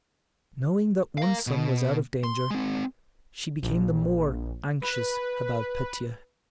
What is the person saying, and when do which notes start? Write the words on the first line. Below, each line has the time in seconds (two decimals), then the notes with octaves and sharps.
Knowing that one son was out of danger she became the more anxious about Petya.
1.18 A#4 F5
1.47 B2
2.24 C6
2.50 G#3 C4
3.62 A#1
4.82 B4